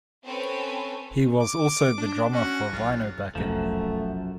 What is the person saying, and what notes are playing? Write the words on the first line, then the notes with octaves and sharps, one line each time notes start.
He was also the drummer for Rhino Bucket.
C4 C#4 A4 B4 C#5 G#5
D6
D4
C#4 F#4
B1 F4
F1 B1 F#2 F3 A3